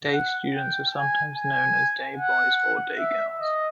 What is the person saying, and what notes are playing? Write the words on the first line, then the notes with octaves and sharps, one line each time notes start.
Day students are sometimes known as day boys or day girls.
F#5
G5
G#5
G#5
F#5
E5
D#5